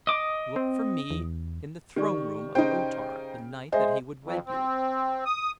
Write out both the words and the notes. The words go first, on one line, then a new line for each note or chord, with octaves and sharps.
Look for me in the throne room of O-Tar the night that he would wed you.
D#5 D6
C4
E2
D#3 G4 D5 C#6
C#3 D#4 C5 G5
G#3 G#4 C5 D#5 E5
F2
C4
D#6